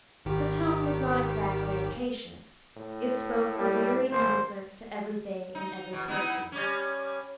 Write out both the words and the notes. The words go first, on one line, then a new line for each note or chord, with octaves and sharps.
The tone was not exactly impatient; it spoke a weary indifference to everything and every person.
G#1 D#3 G4
A2
G3
G#1 C5
D#4
E2 B2
B3 D#4 E4
G3 C#4